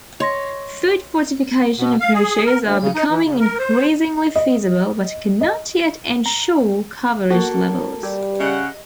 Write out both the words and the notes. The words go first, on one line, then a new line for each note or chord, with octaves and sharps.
Food fortification approaches are becoming increasingly feasible but cannot yet ensure coverage levels.
C#5 D#5 C6 A#6
B2
F5
G#4
A#4
D2
C#3
D#4
E3
C#3
A#4
C5
D#5
D#5
A#5
A#3 F#4 A4
G3 G4
C#3 D#5 F#5